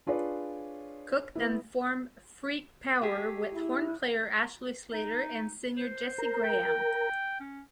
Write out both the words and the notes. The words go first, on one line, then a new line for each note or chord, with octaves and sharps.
Cook then formed Freak Power with horn player Ashley Slater and singer Jesse Graham.
D4 F4 G#4 B4 C#5 D5
B3 E4
A3 G4 G#4
E4
D#4
C5
A#4
G5
C#4